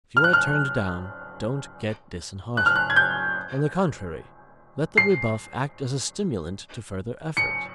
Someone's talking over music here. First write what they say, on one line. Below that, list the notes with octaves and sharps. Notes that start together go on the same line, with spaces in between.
If you are turned down don't get disheartened; on the contrary, let the rebuff act as a stimulant to further effort.
F6
F#6
F6
F#6
F6
F#6
G#6
G6
C7
C#7